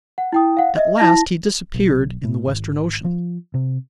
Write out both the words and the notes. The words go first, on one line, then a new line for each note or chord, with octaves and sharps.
At last he disappeared in the western ocean.
F#5
E4 G5 D#6
F5 F#5
D#5 E5
E4 A5 A#6
B1
A2
G#1
F3
C3